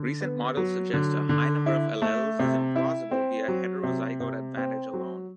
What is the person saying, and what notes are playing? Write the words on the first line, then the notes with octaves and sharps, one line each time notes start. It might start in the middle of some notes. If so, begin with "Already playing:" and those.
Recent models suggest a high number of alleles is implausible via heterozygote advantage alone.
Already playing: D3
B3
F#3
D3
D3
E4
A3
C3
E4
C4
F#3
C3
C3
C4
F#3